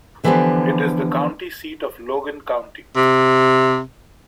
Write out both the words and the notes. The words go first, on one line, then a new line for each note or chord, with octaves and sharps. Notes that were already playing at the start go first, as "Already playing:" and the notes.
It is the county seat of Logan County.
D3 E3 F3 B3 G4 C5
C3